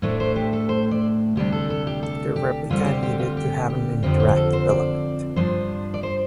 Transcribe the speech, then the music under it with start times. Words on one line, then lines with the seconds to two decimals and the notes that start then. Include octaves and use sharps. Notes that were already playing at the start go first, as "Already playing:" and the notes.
The replica needed to have an interactive element.
0.02 A2 A3 D4 C5
0.20 C5
0.36 G4
0.53 A4
0.69 C5
0.91 D5
1.36 D2 C3 G3 D4 G4
1.52 A4
1.70 A4
1.87 G4
2.03 A4
2.36 G4
2.70 D2 D3 G3 C4 F4
2.86 G4
3.02 G4
3.19 F4
3.37 G4
3.70 G4
4.03 F2 D3 F3 C4 G4
4.20 G4
4.36 A4
4.53 C5
4.69 D5
5.36 G2 F3 D4 C5
5.94 D5
6.03 C5